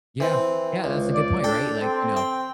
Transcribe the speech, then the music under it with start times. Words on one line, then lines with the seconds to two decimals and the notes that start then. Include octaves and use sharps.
Yeah, yeah, that's a good point, right, like, you know,
0.20 E3 C4
0.84 C#2
1.13 D5
1.44 D4 A4 G5
1.81 C4
2.17 G5